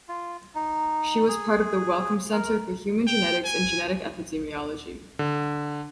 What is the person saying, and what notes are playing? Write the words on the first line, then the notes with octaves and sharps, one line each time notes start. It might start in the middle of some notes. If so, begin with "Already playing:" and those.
She was part of the Wellcome Centre for Human Genetics in genetic epidemiology.
F4
D#4
G#4
A#4
G5
G#5
D3